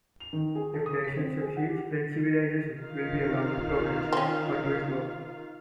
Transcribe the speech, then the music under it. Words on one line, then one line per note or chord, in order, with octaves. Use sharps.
If Dashian succeeds, then civilization will be allowed to progress on Duisberg.
F7
D#3
G#4
A4
D#6
B6
C4
G#4
F#5
G4
D#3 F4 F5
C4 C#4